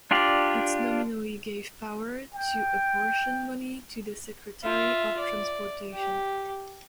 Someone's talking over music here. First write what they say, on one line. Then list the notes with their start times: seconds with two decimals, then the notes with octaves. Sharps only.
It nominally gave power to apportion money to the Secretary of Transportation.
0.11 D4 F4 G4 D5
2.34 G5
4.64 F4 E5
5.19 D5
5.94 G4